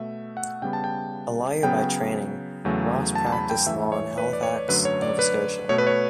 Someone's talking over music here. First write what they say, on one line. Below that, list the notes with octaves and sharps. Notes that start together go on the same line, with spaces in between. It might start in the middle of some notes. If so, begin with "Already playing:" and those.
A lawyer by training, Ross practised law in Halifax, Nova Scotia.
Already playing: B2 A3 E5
F#5
C#3 G3 B3 G5
A5
G5
C#3 F#3 B3 G5
E2 C#3 F#3 A3
A5
A5
B5
G5
G2 E3 A3 E5
C#5
B4
D5
C#5
F#2 D3 F#3 A3 B4
C#5
D5
B4
B2 A3 C#5
B4
C#5